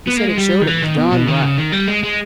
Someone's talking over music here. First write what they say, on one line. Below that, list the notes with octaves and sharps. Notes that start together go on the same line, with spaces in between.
He said it showed it was done right.
B3
A#3
G#3
G3
D#3
E3
D#3
B2
B2
D#3
C#3
D#3
G3
G#3
G#3